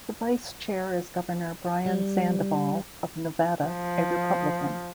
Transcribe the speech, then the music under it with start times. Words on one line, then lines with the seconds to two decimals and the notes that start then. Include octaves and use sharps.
The vice chair is Governor Brian Sandoval of Nevada, a Republican.
1.86 G3
3.66 F3